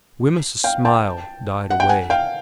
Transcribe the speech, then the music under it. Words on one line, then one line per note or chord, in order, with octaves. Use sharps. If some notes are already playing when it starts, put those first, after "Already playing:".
Wemyss's smile died away.
F5 G5
G5 A5
F#5
G5
F#5 G#5
F5 G5